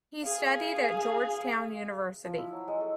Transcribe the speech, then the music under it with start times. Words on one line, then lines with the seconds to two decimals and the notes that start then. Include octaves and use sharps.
He studied at Georgetown University.
0.23 G#4 F5
2.25 F3
2.38 E4
2.53 F#3
2.68 G#3
2.81 A4